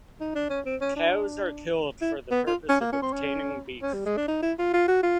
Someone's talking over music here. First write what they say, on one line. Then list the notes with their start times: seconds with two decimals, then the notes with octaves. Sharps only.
Cows are killed for the purpose of obtaining beef.
0.21 D#4
0.35 D4
0.50 C#4
0.66 C4
0.81 C#4
0.96 D4
2.02 E4
2.31 B3
2.47 F4
2.69 C#4
2.81 A#3
2.93 C#4
3.02 C4
3.13 C#4
3.83 C#4
3.94 G3
4.06 G#3
4.17 D4
4.28 D#4
4.43 E4
4.59 F4
4.73 F4
4.88 F#4
5.03 F4